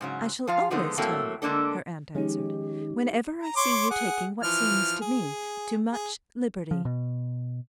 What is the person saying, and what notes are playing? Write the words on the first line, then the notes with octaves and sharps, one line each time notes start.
"I shall always tell you," her aunt answered, "whenever I see you taking what seems to me too much liberty."
G#2 C#3 F#3
F3 F4 F5
D3 F3 G#3 A3 B3 D#4
A2 F#3 A3 A#3 C4 A4
D3 G#3 A#3 D4 A4
D#3 F3 G#3 C#4 D#4 G4
A#5
C#5 C6 D6
G#4 F#5
E3 F3 F6
G#4
G#4
F3
B2